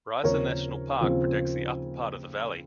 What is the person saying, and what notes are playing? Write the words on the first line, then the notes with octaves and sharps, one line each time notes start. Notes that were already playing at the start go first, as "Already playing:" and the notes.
Reisa National Park protects the upper part of the valley.
D#2 C#3 F3 C4 A#4 C#5
D#2 C#3 F3 C4